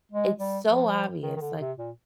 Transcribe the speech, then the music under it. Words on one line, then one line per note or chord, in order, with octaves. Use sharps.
it's so obvious, like,
G#3
G3
F3
D#3
D#3
D3
C3
A#2